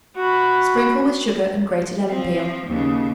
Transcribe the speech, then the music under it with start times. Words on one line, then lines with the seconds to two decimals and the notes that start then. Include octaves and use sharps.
Sprinkle with sugar and grated lemon peel.
0.16 F#4 B5
2.10 F3 C4
2.67 D#2 C#3